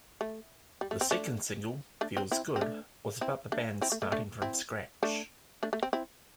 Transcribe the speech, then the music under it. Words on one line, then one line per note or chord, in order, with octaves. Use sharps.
The second single "Feels Good" was about the band "starting from scratch".
A3
G3
A3
C4
A3 D4
A3 D4
C4
C4 E4
C4
A3 D4
C4 E4
A3 D4
C4 E4
A3
A3
A3 D4
C4 E4
A3 D4
A3 D4
A3
C4
C4 E4